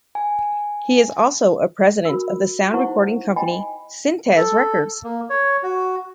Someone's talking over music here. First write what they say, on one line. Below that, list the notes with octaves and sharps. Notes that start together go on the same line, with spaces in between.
He is also a president of the sound recording company Sintez Records.
G#5
F#4 A#4 E6
D#4 E4 C5 F#5 C#6
D#5 G5 G#5 B5
A4
A#3
C#5
F#4